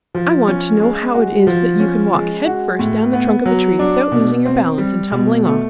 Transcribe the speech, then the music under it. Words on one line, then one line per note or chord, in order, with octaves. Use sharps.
"I want to know how it is that you can walk head first down the trunk of a tree without losing your balance and tumbling off."
F3
C#4
G#3
F#4
F3
C#4
G#3
F#4
A2
B3
F#3
D4
B2
C4
G3
B2
A3